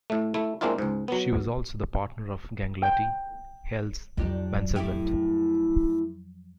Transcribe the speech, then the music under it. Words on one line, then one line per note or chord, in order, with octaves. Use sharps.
She was also the partner of Ganglati, Hel's manservant.
A2 A3
A3 E4
G#3 A#3 C4 D4 E4 F4
C#2 G#2
F#3 B3
G5
F2 F#3 D4 D#4 G4
A2 E4 G4